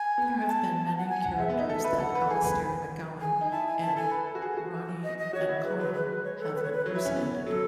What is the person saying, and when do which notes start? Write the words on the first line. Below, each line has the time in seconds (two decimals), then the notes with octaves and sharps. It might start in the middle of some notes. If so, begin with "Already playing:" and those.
There have been many characters that Alistair McGowan and Ronni Ancona have impersonated.
Already playing: G#5
0.18 B3
0.47 A5
0.97 F#5
1.09 G#5
1.24 F#5
1.39 G#3 E5
1.50 B3
1.59 D#4
1.69 A4 E5
1.84 B4
2.00 A4 F#5
2.15 B4
2.26 F#5
2.30 G#4 G#5
2.44 B4
3.21 G#4 G#5
3.41 D#4
3.52 E4 A5
3.67 G#5
3.81 E4 A5
3.97 A4 G#5
4.11 B4
4.27 A4
4.35 F#4
4.42 G#4
4.57 F#4
5.04 D#5
5.18 D#5
5.33 F#4 C#5
5.49 E4
5.64 G#3 B4
5.78 F#3 B4
5.93 G#3 B4
6.24 C#5
6.40 A4
6.55 B4
6.63 C#5
6.72 B4
6.85 F#3 C#5
6.95 E4
7.05 C#4
7.16 B3
7.46 F#3 A4